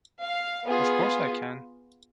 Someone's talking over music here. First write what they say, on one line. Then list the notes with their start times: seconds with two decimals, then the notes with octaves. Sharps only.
Of course I can!
0.23 F5
0.68 B3 F4 G#4